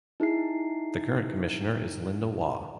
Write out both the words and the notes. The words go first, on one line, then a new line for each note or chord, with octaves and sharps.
The current Commissioner is Linda Waugh.
D#4 E4 G#4 C7